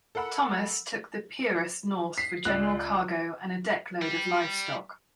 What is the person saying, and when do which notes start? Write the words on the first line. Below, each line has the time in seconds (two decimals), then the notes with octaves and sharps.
Thomas took the "Peeress" north for general cargo and a deckload of livestock.
0.15 A4 A#4 F#5 B5 E6
2.18 B6 C7
2.45 C#2 D5 F#6
4.02 G3